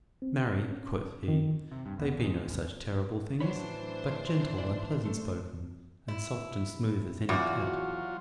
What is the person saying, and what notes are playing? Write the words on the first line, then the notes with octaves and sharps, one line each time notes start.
"Marry!" quoth he, "they be no such terrible things, but gentle and pleasant spoken, and soft and smooth as any cat."
C4
C#4
D#3
C3
G2
B1 F#2 E3 B3
A#2 D#3 G3 G#3
G#2
C#2 G2 C#4
A1 E3 F#3 D4 C5 C#5 B5
D5
A3 A4
E4
E2 F#3 F4 F#4